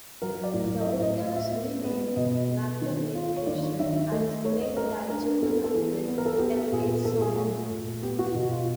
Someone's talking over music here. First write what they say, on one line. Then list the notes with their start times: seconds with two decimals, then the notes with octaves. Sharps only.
The victim is renamed Magdalene Kruschen and is played by German actress Elke Sommer.
0.22 F#3 A#4
0.43 D5
0.54 A2
0.80 D#5
0.87 A2 E5
1.03 D#5
1.19 A2 F5
1.36 E5
1.52 B3
1.84 B3
2.16 B2 D#5
2.50 B3
2.82 D#3
3.15 F4
3.36 C#5
3.46 D#3 D5
3.63 C#5
3.79 D#3 E5
3.96 E5
4.12 A3 D#5
4.45 A3 C#5
4.61 D#5
4.77 A3 A#4
5.10 D4 A#4
5.43 B3 A4
5.64 A4
5.74 E3 G#4
6.08 B3 B4
6.18 A#4
6.26 A4
6.33 G#4
6.39 B3 G4
6.56 G4
6.72 A#2 G#4
6.88 A#4
7.05 A#2 A4
7.21 G#4
7.37 A3
7.71 A#2
8.02 B3 G4
8.19 F#4
8.35 B2 F#4
8.51 F4